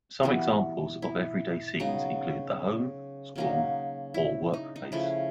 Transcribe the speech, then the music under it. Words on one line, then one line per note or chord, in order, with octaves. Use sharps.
Some examples of everyday scenes include the home, school, or workplace.
E3 G3 B3 F#4
E4
C#3 F#3 B3 D#4
C#3 F#3 A#3 D#4
E4
D#4
D#4
C#3 F3 A3 E4